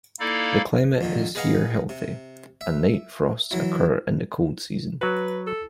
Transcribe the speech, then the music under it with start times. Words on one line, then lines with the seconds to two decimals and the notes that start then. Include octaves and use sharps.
The climate is here healthy, and night frosts occur in the cold season.
0.20 A#3 D#4 E4 A4 D5 F5
1.01 F2 A#2 D3 D#3
1.35 G#4 B4 D#5 F5 F#5 A#5
1.89 C3
2.61 E5
3.51 E3 F#3 E4
5.01 F#3 F#4 B4
5.47 A4